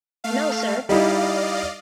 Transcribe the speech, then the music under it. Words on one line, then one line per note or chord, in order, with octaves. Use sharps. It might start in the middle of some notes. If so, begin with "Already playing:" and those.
No sir!
A3 F5
G3 D#4 E4 D5 D#5 F5